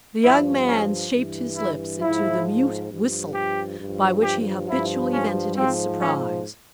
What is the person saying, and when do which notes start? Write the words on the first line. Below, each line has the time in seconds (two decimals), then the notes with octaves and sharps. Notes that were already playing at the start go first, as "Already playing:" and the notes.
The young man shaped his lips into the mute whistle by which he habitually vented his surprise.
0.23 G2 F3 E4
0.68 C#4
1.12 G2 E3
1.57 E4
2.02 G#2 F3 E4
2.90 G2 F3
3.34 G4
3.79 G2 F3
4.24 G4
4.68 G2 F3 E4
5.13 C#4
5.56 G#2 F3 C4
6.01 C#4